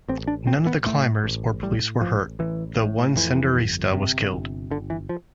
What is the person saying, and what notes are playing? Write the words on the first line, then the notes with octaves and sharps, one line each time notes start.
None of the climbers or police were hurt, though one Senderista was killed.
A1 C4
D4
A1 C4
B3
A2 A3
A1
A2 G3
A1 F3
A1 E3
A2
F2 E3
G1
C3
G1
G1 D3
E3
F3